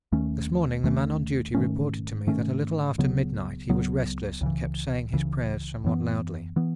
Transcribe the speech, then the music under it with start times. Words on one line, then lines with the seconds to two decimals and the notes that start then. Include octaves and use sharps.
This morning the man on duty reported to me that a little after midnight he was restless and kept saying his prayers somewhat loudly.
0.12 D#2 D#3 A3 C#4
0.83 D#2 D#3 A3 C#4
1.55 G#2 D#3 A3 C#4
2.27 G#2 D#3 A3 C#4
2.98 C#2 C#3 F#3 B3
3.70 C#2 C#3 F#3 B3
4.41 C#2 C#3 E3
5.13 C#2 C#3 E3
5.84 F#2 E3 B3
6.56 E3 B3